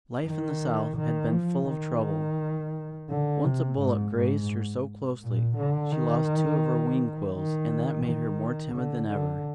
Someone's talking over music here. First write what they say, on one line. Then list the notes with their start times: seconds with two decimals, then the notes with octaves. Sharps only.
Life in the South had been full of trouble. Once a bullet grazed her so closely she lost two of her wing quills, and that made her more timid than ever.
0.26 D#3
0.97 D#3
1.32 F3
1.68 D#3
3.09 D3
3.45 C3
3.80 G#2
4.15 G#2
5.22 A#2
5.57 D3
5.92 D#3
7.34 D#3
8.05 D#3
8.75 D3
9.11 D3